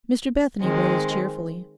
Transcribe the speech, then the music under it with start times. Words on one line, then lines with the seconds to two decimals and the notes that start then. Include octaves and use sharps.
Mr Bethany rose cheerfully.
0.62 D#3 G#3 C4